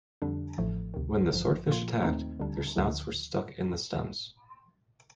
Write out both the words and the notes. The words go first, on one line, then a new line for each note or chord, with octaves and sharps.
When the swordfish attacked, their snouts were stuck in the stems.
F2 D3 G3 D4
A1 A2 F3 A3
D2 C3 D#3
A1 G2 D3 F3
A#2 F3 A#3 F4
D#2 D#3 A3 C4 D#4
D2 D3 G3 D4
D2 D3 F3